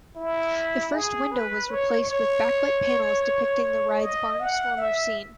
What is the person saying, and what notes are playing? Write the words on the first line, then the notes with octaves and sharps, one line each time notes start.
The first window was replaced with backlit panels depicting the ride's barnstormer scene.
E4
G#4
B4
C#5
C#5
D#5
F#5
E5